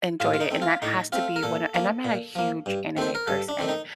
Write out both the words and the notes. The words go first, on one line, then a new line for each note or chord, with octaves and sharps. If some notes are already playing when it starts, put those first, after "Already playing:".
enjoyed it. And that has to be what and I'm not a huge anime person,
A2 F4
F4
D#4
A3 C4
F4
A2 D#4
A3 C4 F4
A#4
A#2 A4
F3 A#3
A#2
F3 A#3
G2
D#3 A3 C4 C5
A#4
G2 A4
D4
D#3 A3 C4
D#4